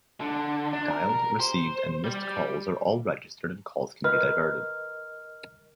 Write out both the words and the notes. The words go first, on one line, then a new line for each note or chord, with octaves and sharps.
Dialed, received and missed calls are all registered and calls can be diverted.
D3
D4
A#4
A#4
C5
G3
A#4 B4 D#5 F6